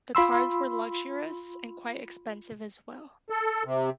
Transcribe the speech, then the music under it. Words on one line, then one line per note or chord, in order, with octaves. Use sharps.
The cars were luxurious, and quite expensive as well.
F4 B5 C6 E6
A4
C3